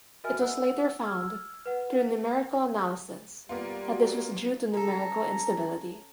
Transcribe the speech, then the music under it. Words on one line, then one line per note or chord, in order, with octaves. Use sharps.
It was later found, through numerical analysis, that this was due to numerical instability.
F#4 A#4 D#5 E5 G#5 F6
F#5 E6
E6 F6 G#6
B4 F#5
G3 A#3 B3 F4
F#4
C#4 A4 A#5